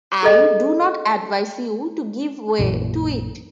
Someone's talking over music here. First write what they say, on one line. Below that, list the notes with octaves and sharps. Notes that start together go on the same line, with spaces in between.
I do not advise you to give way to it.
G#4 A4 D#5
A#1 F#2 A#2 E3